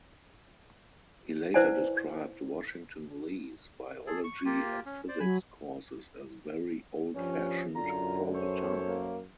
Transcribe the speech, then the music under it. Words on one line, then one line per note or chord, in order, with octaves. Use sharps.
He later described Washington-Lee's biology and physics courses as "very old-fashioned" for the time.
E4 B4 C5 D5 F#5 G#5
G#4 A4
C#6
A#3 F4 G4
C#4
C5 D5
F#3 G#5 B5
G2 F3 C#4
F#2 D3 F4 A#5
A4 C5 C#5
A#3